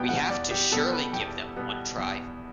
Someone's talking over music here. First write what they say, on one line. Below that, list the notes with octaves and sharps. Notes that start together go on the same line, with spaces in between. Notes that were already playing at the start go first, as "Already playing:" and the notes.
We have to surely give them one try.
Already playing: E2 B2 G3 B3 G5
F#5
E2 D5
G4
B2 G3 B3 A4
B4
E2 G5
B2 G3 B3
E2